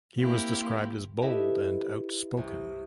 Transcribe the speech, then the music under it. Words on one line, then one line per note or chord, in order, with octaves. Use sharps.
He was described as bold and outspoken.
A#3 C4 E4 G4
E4 G4 A4 B4 D#5 E5
C2